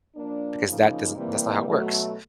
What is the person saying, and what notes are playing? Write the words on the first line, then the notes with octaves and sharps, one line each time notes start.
because that doesn't that's not how it works.
F3 A#3 D4
C#3 F3 A#3 D#4
C3 E3 G3 A#3
B2 F#3 A3